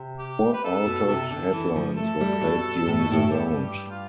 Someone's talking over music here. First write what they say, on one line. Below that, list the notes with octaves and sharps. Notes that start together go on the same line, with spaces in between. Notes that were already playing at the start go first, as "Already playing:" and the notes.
Four altered headlines were played during the round.
Already playing: C3
G4
B4
A4
B2
C3 A4
D3
E3
F3
A3 A4
G3
B2
A2
B2
A2
G2 G4
G4
F4